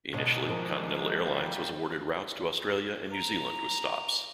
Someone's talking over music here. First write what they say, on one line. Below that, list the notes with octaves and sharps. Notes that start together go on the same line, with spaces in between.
Initially, Continental Airlines was awarded routes to Australia and New Zealand with stops.
B2 D#3 G#3 D4 C#5
F3 A#4
G3 A#3
A#5